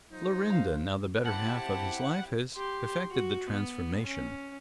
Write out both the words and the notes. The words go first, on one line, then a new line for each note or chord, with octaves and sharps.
Florinda--now the better half of his life--has effected the transformation.
F#3 D#4 F4 C5
F5 A#5
C4 E4 G4 F#5 A5
G4 C6
F#4
B3
C#4